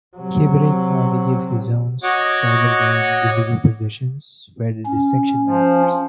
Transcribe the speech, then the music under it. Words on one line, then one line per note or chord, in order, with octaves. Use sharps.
Kibrik only gives the zones rather than individual positions where the distinction matters.
C3 F#3
F#4 C#5 D#5 F#5 C#6 D6
C#4
F3